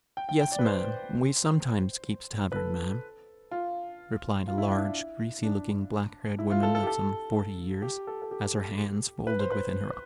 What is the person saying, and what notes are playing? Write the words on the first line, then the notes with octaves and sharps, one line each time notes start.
"Yes, ma'am; we sometimes keeps tavern, ma'am," replied a large, greasy-looking, black-haired woman of some forty years, as, her hands folded within her up-turned apron, she courtesied to W----.
G5
G5
G5
D5
B4
C5
B4
A4
F4
F4
E4
D4
E4
D4
E4
F4
A4
A4
G4
A4
G4
A4
A4
G4
B4
C5
B4